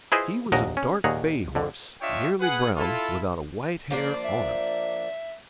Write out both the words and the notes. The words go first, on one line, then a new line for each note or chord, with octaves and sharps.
He was a dark bay horse, nearly brown, without a white hair on him.
E4 F4 G#4 B4 C5 D#5
A#1 D#2 F#4 A#4 D#5
C#4
D#2 A#2 D#3 G#4 F#5 A#5
F2 D3
D4 F4 C#5 D#5 E5 G5
G#4 B4 F#5
E4 F4 A4
F3 A#3 D4
E5